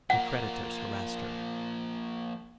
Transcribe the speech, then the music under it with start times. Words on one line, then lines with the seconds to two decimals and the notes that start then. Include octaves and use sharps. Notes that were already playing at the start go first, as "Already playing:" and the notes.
Her creditors harrassed her.
0.10 F3 A#3 F#5